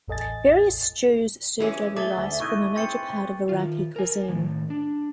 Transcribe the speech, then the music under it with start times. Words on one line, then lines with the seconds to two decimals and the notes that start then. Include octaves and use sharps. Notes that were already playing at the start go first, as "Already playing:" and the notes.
Various stews served over rice form a major part of Iraqi cuisine.
0.08 A1 E2 A4 D#5 G#5 A6
1.60 E3 G#3 C#4 G#5 D6 E6
1.96 A3 G#4 D6 A6 G7
2.17 D2 E5
2.40 B3 D#4 E4 C#6 D#7
2.76 C4 G#4 B4 A6 C#7
3.49 D#3 F4
3.96 A#4 G#5
4.28 A2 D#3
4.70 D4